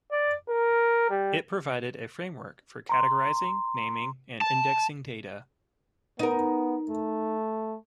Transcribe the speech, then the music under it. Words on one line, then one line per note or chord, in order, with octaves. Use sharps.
It provided a framework for categorizing, naming, and indexing data.
D5
A#4
G3
A#5 C6
A5
B3 D#4 A#4
A3